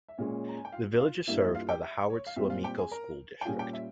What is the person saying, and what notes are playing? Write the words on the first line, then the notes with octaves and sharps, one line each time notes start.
The village is served by the Howard-Suamico School District.
E5
A#2 G#3 C#4 C#5
A#5
G#5
G5
F4 F5
F4 F5
G2 G3 A#3 E4 E5
E5
F4 F5
G4 G5
E5
C#5
F5
A#2 G3 C4 E5
F4 F5
G4 G5
G#4 G#5
A#4 A#5
G5
A#2 G3 C#4 F4 G#4 G#5
G4 G5
E5